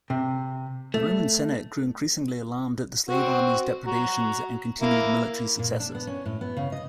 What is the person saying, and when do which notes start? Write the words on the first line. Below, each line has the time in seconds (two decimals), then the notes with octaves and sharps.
The Roman Senate grew increasingly alarmed at the slave-army's depredations and continued military successes.
0.10 C3
0.94 A3
3.09 C4 F#4
3.86 F#4 A#5
4.81 A#3 E4
5.59 A#2
5.80 D4
5.95 B3
6.07 C#4
6.25 A2
6.41 B3
6.57 C#3
6.72 D#5